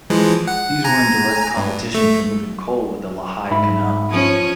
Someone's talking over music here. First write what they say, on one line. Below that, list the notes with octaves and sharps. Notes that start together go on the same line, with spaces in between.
These were in direct competition for moving coal with the Lehigh Canal.
E3 F3 G#3
F#5
G#5 A#5
G2
A3
G#2 E5 B5
F3 C#4